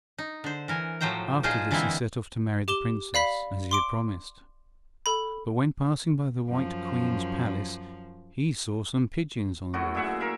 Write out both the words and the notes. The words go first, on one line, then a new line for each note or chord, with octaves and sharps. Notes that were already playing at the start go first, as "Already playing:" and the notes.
After this he set off to marry the Princess, as he had promised, but when passing by the white Queen's palace he saw some pigeons on the roof.
D#4
D3 C5
E3 A#4 G#5
A2 F3 F#3 C5 G5 A#5
A#2 F3 D#4 F4 G#4 C5
D3 E3 G#3 A#3 C4 E4
G4 D6 E7 G7
D5 F5 B5 B6
C6 D6 D7
A4 B5
F#2 F3
F#2 A2 F#4
A#2 G#4 E5 F#5
A#4 E5 F5